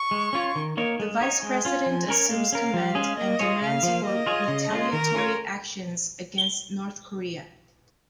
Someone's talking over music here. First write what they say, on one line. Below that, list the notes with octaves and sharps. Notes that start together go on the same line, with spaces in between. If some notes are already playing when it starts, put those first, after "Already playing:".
The Vice President assumes command and demands for retaliatory actions against North Korea.
Already playing: C#6
G#3
C#4 F4 C#5
D#3
A#3 D#4 A#4 C#5
G#3
D#4 C#5
G#3 G#5
C#4 F4
F3
C#4 A#4 C#5
G#3 F5
C#4 A#4
F3
G#3 C#4 G#4
A#3 D#5
F4 G#4 C#5
C#3 F5
F3 A#3
A#3 D#5
F4 G#4 C#5
C#3
G#3 C#4 F4
D#3 A#4
C#4 F4 C#5